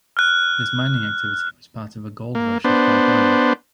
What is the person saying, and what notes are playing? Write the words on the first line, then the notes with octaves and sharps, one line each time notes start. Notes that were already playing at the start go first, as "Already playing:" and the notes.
This mining activity was part of the Gold Rush of California.
F6 F#6
A#3
B3 D4 C5